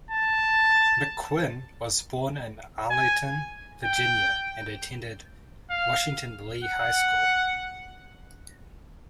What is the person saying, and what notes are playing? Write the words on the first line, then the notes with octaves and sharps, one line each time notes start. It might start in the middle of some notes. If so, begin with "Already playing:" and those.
McQuinn was born in Arlington, Virginia and attended Washington-Lee High School.
A5
G#5
G5
F5
F#5